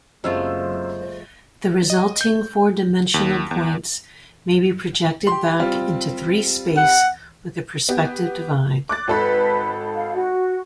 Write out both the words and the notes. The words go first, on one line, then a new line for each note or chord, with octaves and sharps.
The resulting four-dimensional points may be projected back into three-space with a perspective divide.
F#1 F#2 G#3 A3 C4 F4 C5 E6
D#5
G6
D#2
E2
G4 C6
G3 C4 F4
F#5
B3 G4
D6 F#6 A6
G#1 A4 B4 B5
F5
F#4